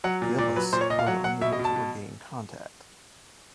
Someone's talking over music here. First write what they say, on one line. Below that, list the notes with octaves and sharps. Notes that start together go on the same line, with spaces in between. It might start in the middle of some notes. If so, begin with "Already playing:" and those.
"Gillis" was unable to regain contact.
F#3 F#5
A#2
A#2 D5
F#3 B4
A#2 C5
C#5
A#2 D#5
F5
F#3 F#5
F#3 F#5
B2 E5
D#5
B2
A5
B2